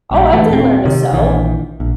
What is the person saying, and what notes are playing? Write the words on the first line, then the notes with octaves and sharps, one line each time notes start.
"Oh, I did learn to sew."
A#1 G3
D1 E2 E3 A3
D#1 C4
C3 D#3
A#1 D#3 E3
A#1